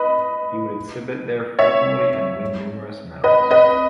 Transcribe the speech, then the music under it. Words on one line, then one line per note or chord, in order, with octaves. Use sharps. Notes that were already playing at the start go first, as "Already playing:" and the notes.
He would exhibit there frequently and win numerous medals.
Already playing: B4 D#5
C#5 E5
B4 D#5
B4 D#5